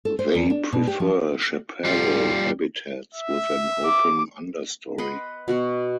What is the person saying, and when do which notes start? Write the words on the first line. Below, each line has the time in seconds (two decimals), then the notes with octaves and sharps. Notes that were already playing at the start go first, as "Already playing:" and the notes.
They prefer chaparral habitats with an open understory.
0.05 A4
0.19 C5
0.35 E2
0.50 D4
0.73 B2
0.87 G4
1.00 F3
1.85 G3 F4
3.14 E5
3.85 D6
4.98 B4 D#5 F#5 C6
5.48 B2 F#4 F#5